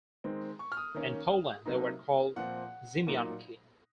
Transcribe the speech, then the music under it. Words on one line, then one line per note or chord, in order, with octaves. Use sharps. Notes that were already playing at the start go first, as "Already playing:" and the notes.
In Poland they were called "ziemianki".
D#3 G#3 C4 D#4
C#6
F6
D#6
D#3 A#3 C#4
C3 F#3 A#3 D#4
A#2 F3 C4 F#5
A#2 F#3 A#3 D#4